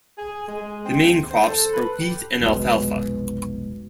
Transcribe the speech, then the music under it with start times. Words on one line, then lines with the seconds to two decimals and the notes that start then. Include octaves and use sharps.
The main crops are wheat and alfalfa.
0.18 G#4
0.47 G#3
0.85 C4
1.11 D#2
1.31 C5
1.47 A4
1.73 B4
2.00 G4
2.41 F1 B1 B2 G#3